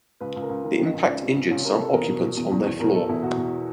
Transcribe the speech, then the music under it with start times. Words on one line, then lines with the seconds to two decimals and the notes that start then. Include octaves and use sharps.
The impact injured some occupants on their floor.
0.20 C#2 B4
0.36 C#2
0.42 A#4
0.49 C#2
0.64 D#3 A#4
0.79 D#3
0.86 D#5
0.94 C#2
1.07 C#2 D5
1.22 C3
1.36 C#2
1.50 C#2 C#5
1.65 C3 A#4
1.80 C3 A4
1.93 E2 A#4
2.09 B2
2.23 B2
2.37 E2
2.51 E2
2.66 E2
2.80 B2 A#4
2.95 B2 A4
3.09 E2 E4
3.23 B2 F#4
3.37 B2